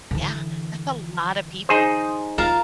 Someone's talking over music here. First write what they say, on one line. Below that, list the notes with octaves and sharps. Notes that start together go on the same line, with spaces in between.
Yeah, that's a lot of people.
D3 E3
D#4 G#4 C5
F4 A#4 F5 A5